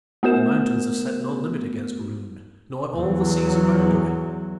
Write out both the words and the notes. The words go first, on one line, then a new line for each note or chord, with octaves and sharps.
The Mountains have set no limit against Roon nor all the seas a boundary.
A3 B3 F#4 A#4 E7
E2 F#3